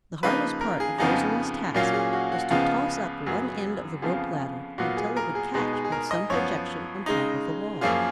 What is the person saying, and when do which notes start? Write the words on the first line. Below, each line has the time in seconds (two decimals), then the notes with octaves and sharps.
The hardest part of Rosalie's task was to toss up one end of the rope ladder until it would catch on some projection on top of the wall.
0.23 C#3 F3 A#3 D#4 B4
0.61 A#4
0.80 G#4
0.98 F2 C#3 F3 B3 D#4 G#4
1.75 A#2 F#3 A#3 C#4 F4
1.94 G#4
2.13 F#4
2.32 F#4
2.50 C#2 C#3 F3 B3 F4 G#4
3.26 F#2 C#3 F#3 B3 G#4
4.02 F2 C#3 F3 B3 F4 G#4
4.78 A#2 F#3 B3 F4 F#4
4.97 G#4
5.17 A#4
5.35 G#4
5.54 B2 G#3 B3 D#4 G#4
5.73 G#4
5.85 G#4
5.92 A#4
6.11 D#5
6.30 F#2 F3 B3 C#5
7.06 C#3 G#3 D#4
7.81 F#2 F3 A#3 C#4 F4 G#4